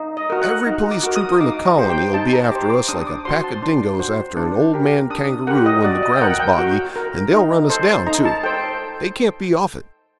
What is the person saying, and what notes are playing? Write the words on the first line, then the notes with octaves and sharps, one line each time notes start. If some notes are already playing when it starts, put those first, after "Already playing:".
Every police trooper in the colony'll be after us like a pack of dingoes after an old man kangaroo when the ground's boggy, and they'll run us down, too; they can't be off it.
Already playing: D#4
D#5
F#4 A#4
F#5
D#4
D6
F#4 A#4
D#6
D#4 D6
A#5
G4 C5
G5
D#4 A5
A#5
G4 C5 D6
D6
D4 D#6
D6
F#4 C5 C6
A5
D4 C6
F#4 C5
D4
G4 A#4
D4 D#6
G4 A#4 F#5
D#5
F#4 D5
D#5
G5
A#4 F#5
G5
F#4
A#4
D#4
A4 C5
D#4 A#5
A5
A4 C5 G5